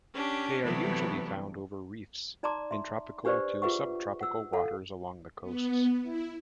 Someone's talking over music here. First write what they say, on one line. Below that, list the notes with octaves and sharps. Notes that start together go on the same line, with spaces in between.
They are usually found over reefs, in tropical to subtropical waters along the coasts.
C#4 D4 G4
C3 E3 F#3 G3 A3 B3
D#4 D5 A5 A#5 C6 D6
E5 C6
D4 G4 B4 C5 D5 C#6
F4 G#4 B4 E5 F#5 C#6
F#5 E6
A4 F5 F#5
B3
E4